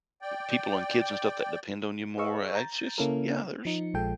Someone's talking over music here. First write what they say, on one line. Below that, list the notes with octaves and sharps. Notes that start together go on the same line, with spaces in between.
people and kids and stuff that depend on you more, I it's just, yeah, there's
D5 G5
G#4 B4 D#5 F5 C#6 E6
A#5 G6 A6
C#3 A#3 C#4 E4 A4 A#4
F3 D#4 C#7
A#1 F3 G#3 A4 G5